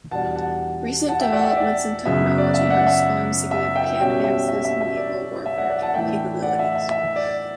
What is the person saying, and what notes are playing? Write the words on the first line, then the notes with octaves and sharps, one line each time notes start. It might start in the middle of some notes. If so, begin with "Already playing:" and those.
Recent developments in technology have spawned significant advances in naval warfare capabilities.
E2 B2 G3 D4 F#5 A5
F#5 A5
F#5 A5
E5 G5
D5 F#5
E5
D5
F#2 C#3 F#3 B3 E5
D5
E5
D5 F#5
E5
E5
E5 G5
B2 G3 C#4 E5 G5
E5
E5
E5
E5
D5
E5
D5 F#5
D5 F#5
F#5 A5
A2 E3 A3 D4 E5 G5
D5 F#5
E5
E5
E5
D5